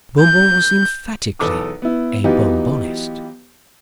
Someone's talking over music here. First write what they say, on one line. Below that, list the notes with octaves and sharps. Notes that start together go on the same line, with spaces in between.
Bon-Bon was emphatically a--Bon-Bonist.
G6
B1 E2 A4 B4 D6 D#6
B3 E4
E3 F#3 B3 D#4 F4 G4